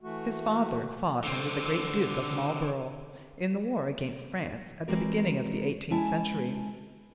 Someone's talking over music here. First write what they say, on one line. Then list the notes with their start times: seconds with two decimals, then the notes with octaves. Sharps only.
His father fought under the great Duke of Marlborough in the war against France at the beginning of the eighteenth century.
0.01 E3 A3 F#4
1.24 D3 C4
4.88 E3 G#3 C4 F#4 A#4 D5
5.90 G#3 C#4 E4 G#5 A5